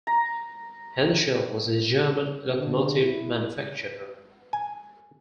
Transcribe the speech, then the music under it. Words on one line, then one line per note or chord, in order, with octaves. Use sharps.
Henschel was a German locomotive manufacturer.
A#5
D3
E4
G#5